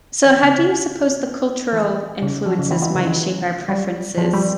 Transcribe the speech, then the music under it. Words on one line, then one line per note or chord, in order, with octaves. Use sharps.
So how do you suppose the cultural influences might shape our preferences
E3
C#3
C#3
E3
C#3
F3
C#3
E3
E3
C#3
E3
G3
F3
G3